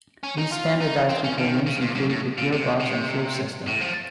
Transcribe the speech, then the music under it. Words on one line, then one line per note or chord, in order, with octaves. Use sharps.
These standardised components include the gearbox and fuel system.
C#4
D#4
F4
D#4
C4
C#4
D#3
C#3
A#2
F#2
A2
A#2
C3
C3
A2
F3